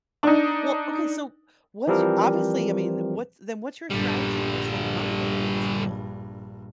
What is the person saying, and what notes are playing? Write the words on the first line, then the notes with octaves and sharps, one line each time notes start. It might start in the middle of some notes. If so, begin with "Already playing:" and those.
Well okay, so what's y obviously, I mean, what's then what's your strategy for staying motivated in school?
D4 D#4
E3 F3 G3 C4 G4 A#4
A#1 G2 D3 G3